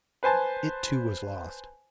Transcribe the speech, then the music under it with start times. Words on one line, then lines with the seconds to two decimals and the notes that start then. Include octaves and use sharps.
It, too, was lost.
0.23 B4 C5 G#5 A5